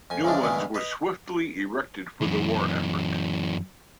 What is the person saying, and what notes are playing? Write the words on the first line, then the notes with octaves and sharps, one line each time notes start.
New ones were swiftly erected for the war effort.
F2 G#5
C#3 E3 F3 G#3 D4
G2 B2 D#3 E3 G#3
B4 D#5
F#2 E3